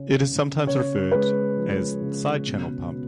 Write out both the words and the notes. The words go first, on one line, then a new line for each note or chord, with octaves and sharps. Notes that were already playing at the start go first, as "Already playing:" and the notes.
It is sometimes referred as side channel pump.
Already playing: C#3 C#4
C#3
C#3 C#5
G#3 B4
F3
C#3
B2
B2